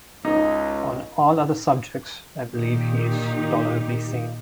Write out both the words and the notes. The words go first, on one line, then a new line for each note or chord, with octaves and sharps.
On all other subjects I believe he is tolerably sane.
C#2 D#4
A#2 D#3 D#4 G4